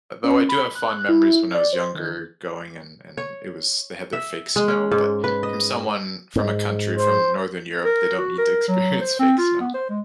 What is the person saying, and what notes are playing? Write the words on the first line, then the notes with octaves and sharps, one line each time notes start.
Though, I do have fond memories when I was younger, going and and it was they had their fake snow, but, from someone from a country from Northern Europe, they don't need to experience fake snow,
C#4
B5
F#6
E4
D5
C5
D#3
C#5
E5
G#3
C#4
G#2
B4
D#5
G#2
C5
A#4
F#4
A#4
F#3
C5
C4
F4
B3
C5
G#3